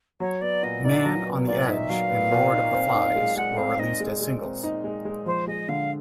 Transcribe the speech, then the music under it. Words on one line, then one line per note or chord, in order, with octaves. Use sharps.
"Man on the Edge" and "Lord of the Flies" were released as singles.
F#3 C#5
B3 D5
A#2 D#5
D#4 D5
F#3 D#5
B3
A#2 D5
D#4 E5
F#3 F5
B3
A#2
D#4
C4
D#4
G#3
G#3 F#5
C4 F5
D#4 D#5
G#3
G#3
C4
D#4
G#3
G#3
F3 C5
G#3 D#5
D3 F5